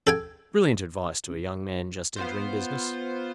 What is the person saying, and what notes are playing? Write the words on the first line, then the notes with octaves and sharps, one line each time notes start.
Brilliant advice to a young man just entering business!
A4 G5 G#5
B3 F4 C5